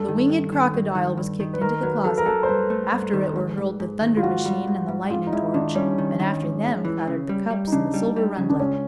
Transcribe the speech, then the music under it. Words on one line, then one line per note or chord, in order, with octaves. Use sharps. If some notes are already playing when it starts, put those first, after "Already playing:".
The winged crocodile was kicked into the closet, after it were hurled the thunder machine and the lightning torch, and after them clattered the cups and the silver rundlet.
Already playing: G2 A4
D#3
G2
D#3
G2
D#3
G2
D#3
B4
D#3 A#4
F#3 B4
F#3 A4
A#4
F#3 A4
C5
G2 B4
A3
G2
D#3
G#2
G#2
G#2
D#3
F4
G#2 F#4
G3
G#2
G#2
G#2 F4
D#4
G#2 E4
D#3 D4
G3 C#4
D#3
D#3
G#2
G#2
E3
C#3
G3
G3
D#4
C#3 D4
G3
G3
C#3
D4
C#2 C#4